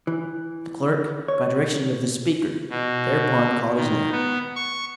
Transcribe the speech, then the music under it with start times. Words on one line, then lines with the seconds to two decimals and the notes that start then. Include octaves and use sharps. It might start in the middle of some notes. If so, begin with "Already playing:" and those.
The clerk, by direction of the Speaker, thereupon called his name.
0.07 E3
1.28 C#5
2.69 B2
3.75 D#3
4.12 B3
4.56 C#6